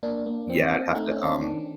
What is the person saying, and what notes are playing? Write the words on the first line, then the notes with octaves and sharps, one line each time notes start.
yeah, I'd have to, um,
A#3 D4
A#3
C4
C4
A3 D#4
C#4
C4
D4
D#3 D4